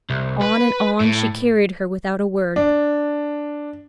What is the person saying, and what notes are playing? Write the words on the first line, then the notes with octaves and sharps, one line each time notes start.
On and on she carried her without a word.
C2
B4
A2
D4